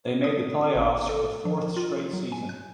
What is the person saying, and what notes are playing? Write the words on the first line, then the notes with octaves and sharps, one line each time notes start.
They made the playoffs for the fourth straight season.
D#6
G#1
A4
F3
F4
F#3
G#5
F#6